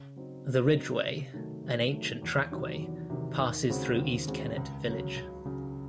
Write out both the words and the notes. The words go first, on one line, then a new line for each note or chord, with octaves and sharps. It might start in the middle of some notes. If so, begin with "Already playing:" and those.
The Ridgeway, an ancient trackway, passes through East Kennet village.
Already playing: C#3
F#3 C4 D#4
C#3
F#3 C4 D#4
C3
D#3 F#3 A3
C3
D#3 F#3 A3
E2
C3 D#3 F#3
E2
C3 D#3 F#3
D#2
C#3 G#3 C4 F#4
D#2
C#3 G#3 C4 F#4
C#2
C#3 F#3
C#2
C#3 F#3